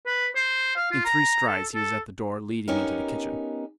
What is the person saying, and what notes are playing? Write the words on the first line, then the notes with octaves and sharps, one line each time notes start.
In three strides he was at the door leading into the kitchen.
B4
C5
F5
F4
A#5
A4
A4
B3 C#4 D#4 G4 A#4